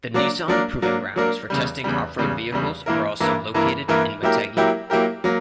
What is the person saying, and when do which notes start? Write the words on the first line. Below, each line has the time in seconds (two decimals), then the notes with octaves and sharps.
The Nissan Proving Grounds for testing off-road vehicles are also located in Motegi.
0.14 F#3 A#3 D4 A#4
0.48 F#3 A#3 D4 A#4
0.82 F#3 A#3 D4 A#4
1.16 F#3 A#3 D4 A#4
1.50 E2 C#3 G3
1.84 E2 C#3 G3
2.18 E2 C#3 G3
2.52 E2 C#3 G3
2.86 G2 E3 A#3 E4 A#4
3.20 G2 E3 A#3 E4 A#4
3.54 G2 E3 A#3 E4 A#4
3.88 G2 E3 A#3 E4 A#4
4.22 F#3 A#3 E4 G4 A#4
4.57 F#3 A#3 E4 G4 A#4
4.90 F#3 A#3 E4 G4 A#4
5.24 F#3 A#3